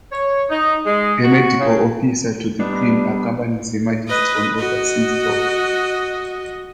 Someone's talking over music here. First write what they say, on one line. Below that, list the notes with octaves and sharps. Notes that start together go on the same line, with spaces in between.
A Medical Officer to the Queen accompanies Her Majesty on overseas tour.
C#5
D#4
G#3
F#4
C#3
G3 B3 D4 D#4
B4 D#5
F#4 D#5